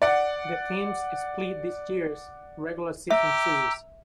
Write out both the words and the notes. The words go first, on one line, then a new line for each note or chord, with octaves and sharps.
The teams split this year's regular season series.
D5 F#5
G4 E5 A#5 E6